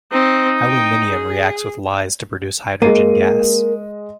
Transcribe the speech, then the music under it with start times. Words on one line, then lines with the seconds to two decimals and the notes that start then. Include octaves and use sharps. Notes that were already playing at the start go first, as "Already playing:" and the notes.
Aluminium reacts with lyes to produce hydrogen gas.
0.12 C4 D#4
0.67 G5
1.07 G#4
2.82 G#3 A#3 D#5 D#7